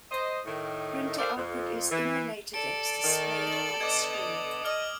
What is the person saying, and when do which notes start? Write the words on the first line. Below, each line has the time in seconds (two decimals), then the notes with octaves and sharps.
Printer output is emulated and is displayed on screen.
0.11 C5 D#5
0.46 A2 D#3
1.19 F4 A4 A#4 C5 D5
1.37 F2
1.90 E3
2.54 A4 D5 D7
3.03 D#3
3.47 F#7
3.80 D3 B3 D#5 D6 G#6
4.14 D#6
4.65 D#5 F6 F#7